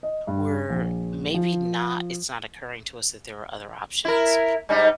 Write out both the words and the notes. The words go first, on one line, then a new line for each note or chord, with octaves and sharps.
we're maybe not it's not occurring to us that there are other options.
D#5
G2
A#1
F3
E4 A#4
G#2 G3 D#4